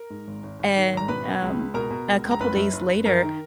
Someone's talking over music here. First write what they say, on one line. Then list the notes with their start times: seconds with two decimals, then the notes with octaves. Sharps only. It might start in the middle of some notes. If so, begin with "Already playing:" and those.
And, um, a couple days later,
Already playing: A#4 A#5
0.10 G#2
0.27 G#1
0.43 G#1
0.59 G#1
0.76 D#3
0.93 G#1 A#5
1.08 B2 B4 B5
1.25 B2
1.42 C#2
1.59 C#2
1.74 B2 A#4 A#5
1.91 B2
2.08 C#2
2.25 C#2
2.31 A#5
2.40 F#1 B4 B5
2.56 F#2
2.73 F#1
2.90 F#1
3.05 F#2 A#4 A#5
3.23 D#3